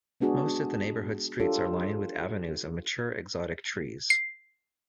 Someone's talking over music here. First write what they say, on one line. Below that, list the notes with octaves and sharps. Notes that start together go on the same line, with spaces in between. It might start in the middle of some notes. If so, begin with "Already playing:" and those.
Most of the neighbourhood's streets are lined with avenues of mature exotic trees.
G#3 B3 D4 F#4 G#4
D4 F4 G4 A4 A#4 C#5
C7